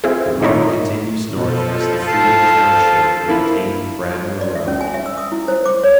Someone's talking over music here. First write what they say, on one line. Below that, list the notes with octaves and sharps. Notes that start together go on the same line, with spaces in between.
The road continues north as the Freedom Township-maintained Bradner Road.
C4 E4 F4 G#4
D#3 D#4 E4 A#4 C#5
B2 F3 A4
F5 A5
A#3 E4
D5
E5
C#4
G#5
E5
E6
D#6
E4
C5
D6
C#5